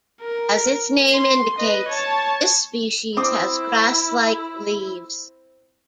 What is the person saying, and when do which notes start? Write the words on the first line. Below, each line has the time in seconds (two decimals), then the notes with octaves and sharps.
As its name indicates, this species has grass-like leaves.
0.21 A#4
1.12 C6
1.58 B4 D#5
1.88 C#5 A5
3.17 C4 E4 D6 D#6